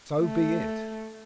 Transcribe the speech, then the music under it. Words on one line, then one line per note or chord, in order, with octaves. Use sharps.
"So be it."
A3